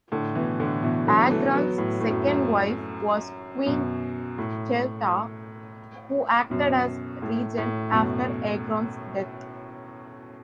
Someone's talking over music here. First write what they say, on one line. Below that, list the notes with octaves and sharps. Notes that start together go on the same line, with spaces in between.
Agron's second wife was Queen Teuta, who acted as regent after Agron's death.
A2 D3
B2 E3
A2 D3
B2 E3
D3 F#3
B3
E3 A3
F#3 B3
A2
A2
F#2
F#2
F#2 B2
A2
F#2 B2
A2
A2
F#2 B2